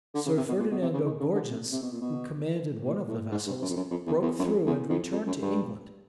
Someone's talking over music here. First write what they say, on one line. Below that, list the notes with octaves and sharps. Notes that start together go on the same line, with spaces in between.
Sir Ferdinando Gorges, who commanded one of the vessels, broke through and returned to England.
D3
C#3
C3
B2
A#2
B2
C3
C#3
D#3
C#3
D3
C3
C3
B2
A#2
B2
A#2
A2
G#2
G2
F#2
F2
F#2
F2
E2
E2
F#2
F2
E2
F2
F2
F#2
G2